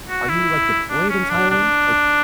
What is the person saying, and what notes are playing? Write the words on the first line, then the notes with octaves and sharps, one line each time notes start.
Are you, like, deployed in Thailand? Like
F#4
E4
D4
C#4
D4
D4